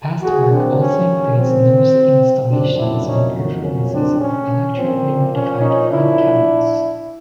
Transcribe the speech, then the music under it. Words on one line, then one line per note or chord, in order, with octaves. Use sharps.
Past work also includes noise installations and performances with electrically modified file cabinets.
G#2 D#3 F#3 A#3 F#4 G#4
C4 D4
C#4
C4
F2 C#3 F#3 A#3 C4 D4
D4 E4
C#4 D#4
C#4
C4 D4
C#4
A#2 F3 A#3 C4
C#4
C#4 D#4
D4 E4